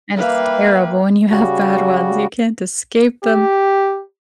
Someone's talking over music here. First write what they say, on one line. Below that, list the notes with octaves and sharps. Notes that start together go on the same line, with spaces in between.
And it's terrible when you have bad ones, you can't escape them.
G3 A#3 E4 B4 F5
C#3 G3 F#4
G4